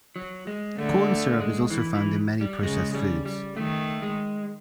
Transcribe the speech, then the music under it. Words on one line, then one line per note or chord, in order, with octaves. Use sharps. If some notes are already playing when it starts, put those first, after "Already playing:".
Corn syrup is also found in many processed foods.
F#3
G#3
D3 A3
A3
G#3
E3
E3
G3
C#3 G#3
G3
G3
D#3 A3
G#3